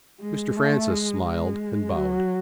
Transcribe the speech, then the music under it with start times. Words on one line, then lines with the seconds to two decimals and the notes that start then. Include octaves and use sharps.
Mr. Francis smiled and bowed.
0.21 G#3
0.57 A3
0.91 G#3
1.26 G#3
1.96 F#3